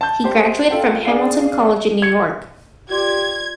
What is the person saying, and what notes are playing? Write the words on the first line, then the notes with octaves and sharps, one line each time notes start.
He graduated from Hamilton College in New York.
A5 G6
G4 C5
F4 A4 G5
D4 G#4 D5 F5 C7
G#6 C#7
F4 G4 D5 C6 G#6